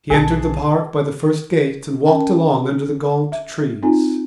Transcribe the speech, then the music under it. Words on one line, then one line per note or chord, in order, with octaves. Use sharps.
He entered the Park by the first gate and walked along under the gaunt trees.
B1 B3 G#4 A5
C#4 A#4 G5 A5
E5
C4 D#4 F4 G#5